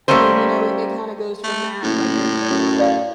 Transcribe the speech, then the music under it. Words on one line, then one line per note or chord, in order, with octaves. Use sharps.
and then, you know, i it kind of goes from that. Like there goes,
G3 A3 A#3 C#4 C5
A3
F#1 A2
F#2
B4 D5 F5